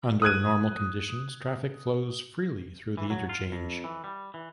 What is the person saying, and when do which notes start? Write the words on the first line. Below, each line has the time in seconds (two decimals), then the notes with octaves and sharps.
Under normal conditions, traffic flows freely through the interchange.
0.22 D#6 F#6 G#6 D#7
2.97 E3
3.10 F#3
3.29 F4
3.52 F2
3.84 E3
4.04 G3
4.34 E3